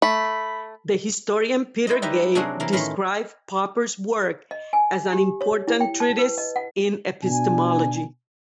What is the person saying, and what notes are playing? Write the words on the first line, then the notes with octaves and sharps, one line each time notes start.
The historian Peter Gay described Popper's work as "an important treatise in epistemology".
A3 B5 B6
E4 C5 D#5
G3 D#4 E4 G4 B4 D#5
C3 F#3 D4 F#4 G#4 A#4
E3 A#3 A#4
A2 D#3 C#4 A#4 B5 C6
D#5
G#5
G4
C#5
E4
G5
A5
B4
D#5
F#5
B2 D4 G#5